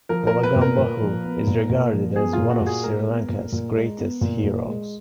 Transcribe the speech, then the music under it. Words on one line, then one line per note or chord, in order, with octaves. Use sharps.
Valagambahu is regarded as one of Sri Lanka's greatest heroes.
F3 A#4
A#4
B3
B4
A#2
A#4
A#2
F3
B3
A#2
A#2
F3
B3 G#4
A#2 F4
F#4
A#2 G#4
G#3 A#4
B3
A#2
A#2
G#3
B3
A#2
A#2
G#3